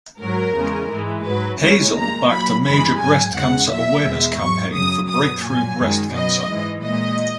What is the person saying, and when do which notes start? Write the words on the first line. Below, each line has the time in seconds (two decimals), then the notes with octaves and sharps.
Hazell backed a major breast cancer awareness campaign for Breakthrough Breast Cancer.
0.22 G#2 F#3 A#4
0.57 E2 C#3 G#3
0.91 G#2 E3 G#3
1.26 G#2 F#3 B4
1.61 E2 C#3 G#3 C#5
1.96 A#2 G#3 A#5
2.31 A#2 F#3 B5
2.65 F#2 C#3 E3 G#3 B5
3.00 G#2 F#3 G#5
3.35 E2 C#3 G#3 F#5
3.70 A#2 F#3 E5
4.05 E2 B2 G#3
4.40 G#2 F#3 C#6
4.74 F#2 C#3 F#3 D#6
5.09 B2 F#3 D#6
5.44 A#2 F#3 G#5
5.79 F#2 D#3 G#3
6.14 B2 F#3 D#5
6.48 G#2 E3 G#3
6.83 A#2 G#3 D#5